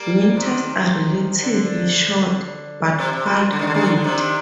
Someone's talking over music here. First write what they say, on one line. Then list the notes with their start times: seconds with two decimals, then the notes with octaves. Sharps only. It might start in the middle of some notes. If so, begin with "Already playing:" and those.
Winters are relatively short, but quite cold.
Already playing: G3 A#3
0.37 C3 D#3
1.42 D3
2.99 C3
3.13 C3
3.26 A#2
3.52 D3
3.59 D#3
3.67 D3
3.74 D#3
3.81 D3
3.97 D3
4.04 C3 D#3